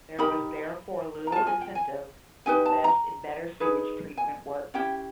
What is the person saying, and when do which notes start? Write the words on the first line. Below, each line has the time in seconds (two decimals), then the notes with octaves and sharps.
There was therefore little incentive to invest in better sewage treatment works.
0.18 D#4 G4 A#4 B5
1.27 A#5
1.32 A#4 A5
1.36 F4
1.47 G#5
1.61 G5
1.75 G#5
2.46 D#4 G4 B4 G#5
2.66 A5
2.84 A#5
3.60 D#4 G#4 B4
4.17 G#5
4.74 C#4 E4 G4 G5